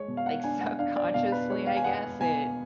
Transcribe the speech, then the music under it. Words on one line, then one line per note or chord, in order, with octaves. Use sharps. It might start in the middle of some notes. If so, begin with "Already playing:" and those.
like, subconsciously, I guess it
Already playing: G#3 C#5
B2
F5
F#5
D4 G#5
F#5
D4 F5
D5
B2 F5
B4
G#3 C#5
F5
G#5
B3 F#5
B2 G#5